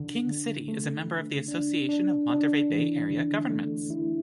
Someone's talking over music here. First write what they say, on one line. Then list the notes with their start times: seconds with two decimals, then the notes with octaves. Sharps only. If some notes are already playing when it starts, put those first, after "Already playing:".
King City is a member of the Association of Monterey Bay Area Governments.
Already playing: D3
0.28 D3
0.68 A3
1.08 D3
1.48 D4
1.89 D4
2.30 D4
2.70 E3
3.10 D3
3.50 A3
3.90 E4